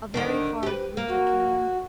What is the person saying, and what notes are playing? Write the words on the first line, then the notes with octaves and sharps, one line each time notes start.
A very hard winter came.
D3 D#3 D4
G4 B4
A#3
F#4